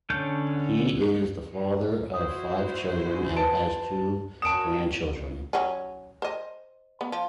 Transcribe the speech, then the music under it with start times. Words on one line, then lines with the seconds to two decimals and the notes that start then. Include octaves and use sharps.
He is the father of five children and has two grandchildren.
0.10 D3 C#4 C#5 A5 G6
2.14 E4 F#4 C5 D#6
3.37 B4 A5 D7
4.42 C#4 F#4 A#4 A5 D#6 D7 E7
5.53 F#3 C#4
6.22 C5 D#5
7.01 B3
7.12 F3